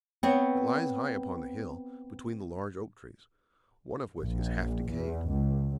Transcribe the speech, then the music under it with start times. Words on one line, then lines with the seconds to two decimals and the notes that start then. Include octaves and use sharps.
It lies high upon the hill, between the large oak-trees, one of which is half decayed.
0.23 B3 C4 C#5
4.21 A#1
4.91 E2
5.28 C#2